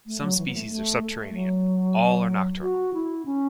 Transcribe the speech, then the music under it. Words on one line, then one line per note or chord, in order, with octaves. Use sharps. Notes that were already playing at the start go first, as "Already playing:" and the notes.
Some species are subterranean; all are nocturnal.
A3
F#3
E3
B3
A3
A3
A3
F#3
F#4
E4
C#4